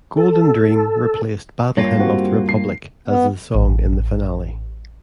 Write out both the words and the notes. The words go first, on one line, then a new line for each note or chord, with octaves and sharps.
"Golden Dream" replaced "Battle Hymn of the Republic" as the song in the finale.
A4
G2 A#3 F4 C#5
C4 F#4 G4
C7
B3
A1